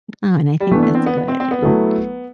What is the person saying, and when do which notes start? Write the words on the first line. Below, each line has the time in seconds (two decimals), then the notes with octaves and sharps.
Oh, and I think that's good, and,
0.60 G3
0.71 E3 A3 B3 D4
0.83 A3
0.95 C4
1.06 B3
1.18 B3
1.28 C4
1.40 C4
1.51 B3
1.63 F#3 A3 E4 A4